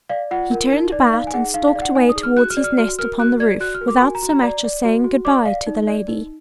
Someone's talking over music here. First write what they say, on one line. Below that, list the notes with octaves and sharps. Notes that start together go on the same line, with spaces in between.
He turned about and stalked away towards his nest upon the roof, without so much as saying good-by to the lady.
D5 F5
F4 F#5
A#4
D#4
D5
D#4 F5
G#5
G#4 F#5
D#4 F5
F5
D5
F#5
D#4 G#5
D#6
G#4
F6
F#4 F#6
F6
D5
F6
F#4 F6
A#4 F6
F#4 F#6
D5 G#6
F#4 F#6
F6
A#4
D6
F#4 G#5
A#5
F#4
A#5
D5
D5
F#4
F#4
D5 D6
D5 F5
D#4
D5
D#4